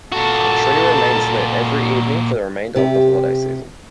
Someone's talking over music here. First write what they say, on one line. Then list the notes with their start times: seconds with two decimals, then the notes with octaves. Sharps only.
The tree remains lit every evening for the remainder of the holiday season.
0.12 A#2 F#4 A4 A5
2.76 C3 G4